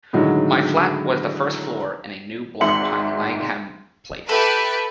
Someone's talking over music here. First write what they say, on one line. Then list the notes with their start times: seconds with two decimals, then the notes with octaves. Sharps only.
My flat was the first floor in a new block behind Langham Place.
0.13 A2 D3 D#3 F#3 G#3
2.61 G#1 G#2 E5 C6 C#7 F#7
4.29 G4 A4 B4 E5